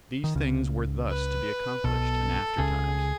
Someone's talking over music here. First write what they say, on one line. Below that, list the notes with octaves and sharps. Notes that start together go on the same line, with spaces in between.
These things were thus to be accomplished in after times.
D#3
C#2 C#3
B4
B1 B2 A4
C#2 C#3 G#4